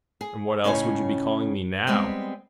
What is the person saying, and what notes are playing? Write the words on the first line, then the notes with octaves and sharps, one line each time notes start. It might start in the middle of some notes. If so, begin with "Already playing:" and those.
"And what else would you be calling me now?"
G#4
A2 C#3 C#4 D#4 E5 G#5
G3 G#3 B3 C4